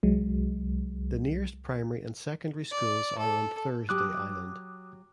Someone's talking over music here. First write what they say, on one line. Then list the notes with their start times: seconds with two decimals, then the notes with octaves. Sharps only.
The nearest primary and secondary schools are on Thursday Island.
0.03 C2 F#3 G#3
2.71 D5
3.18 A4
3.89 F#3 F#4 G4 D6 D#6 F#6